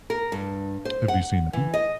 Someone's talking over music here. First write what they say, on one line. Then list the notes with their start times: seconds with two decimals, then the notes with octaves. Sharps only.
Have you seen them?
0.10 A#4
0.32 G2
0.85 C5
1.08 F#5
1.53 E3
1.74 D#5